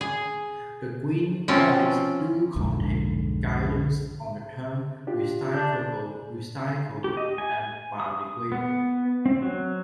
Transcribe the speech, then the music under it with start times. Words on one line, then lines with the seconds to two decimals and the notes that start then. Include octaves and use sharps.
The Green Guides do contain guidance on the term recyclable, recycled and biodegradable.
0.01 G#4
1.48 F3 C4 C#4
2.56 B1 F2 G#2 D3
5.07 D4 F4 G4
5.54 D4 G6
7.04 G4
7.17 D#5
7.38 G#5
8.00 D#6
8.52 B3
9.26 C4
9.42 F#3